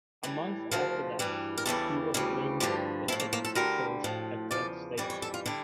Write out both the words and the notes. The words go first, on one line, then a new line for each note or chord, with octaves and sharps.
A month after that, he was named the head coach at Kent State.
A2 E3 G3
D2 C#3 F3 A#4
G2 E3 G3
A#4
E2 C#3 E3 G3 A4
D2 C#3 E3 G3
G2 D3 F3 G4
A2 F3 E4
A#3
A#3
A4
D2 D3 G3 A#4
A2 F3
E2 C#3 F3 D5
F2 E3 G3 D5
C#5
A4
F4
D3 G3 E4